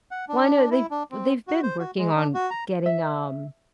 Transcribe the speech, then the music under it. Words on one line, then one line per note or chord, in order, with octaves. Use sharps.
Well, I know, they've they've been working on getting, um
F#5
D4
E4
D4
C4
F#4
C5
F#4
G#3
D4
F#4
A#5
E5